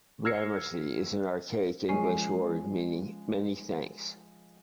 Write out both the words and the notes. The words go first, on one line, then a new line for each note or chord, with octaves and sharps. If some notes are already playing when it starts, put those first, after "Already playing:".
"Gramercy" is an archaic English word meaning "many thanks".
E6 F6 G#6 A#6 C7 C#7
F3 G#3 C#4 C7